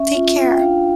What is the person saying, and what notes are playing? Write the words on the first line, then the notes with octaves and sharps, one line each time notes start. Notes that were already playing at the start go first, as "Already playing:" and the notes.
Take care.
Already playing: C#4 E5
F4
F4
G5
D4 F5